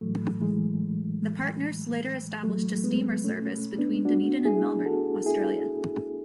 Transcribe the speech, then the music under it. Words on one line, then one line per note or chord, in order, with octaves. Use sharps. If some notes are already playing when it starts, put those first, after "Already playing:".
The partners later established a steamer service between Dunedin and Melbourne, Australia.
A2 E3 F#3 A3
E3 G#3
F#3 A3
G#3 B3
B2 A3 C#4
B3 D4
D4 F#4
E4 G#4
F#4 A4
E4 G#4